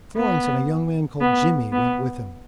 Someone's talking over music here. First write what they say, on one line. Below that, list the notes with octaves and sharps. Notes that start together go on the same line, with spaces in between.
And Florence and a young man called Jimmy went with him.
B3
B3
B3